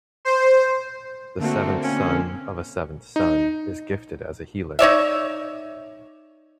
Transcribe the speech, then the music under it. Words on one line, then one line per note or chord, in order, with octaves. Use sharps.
The seventh son of a seventh son is gifted as a healer.
C5
D3 A3 A#3 C4 F#4
C#4
D#4
D#4 C#5 D5 E5